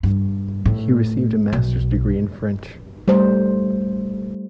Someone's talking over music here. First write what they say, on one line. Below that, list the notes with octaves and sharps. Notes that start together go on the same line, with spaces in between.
He received a master's degree in French.
G2
A2
B1
G3 A3 C5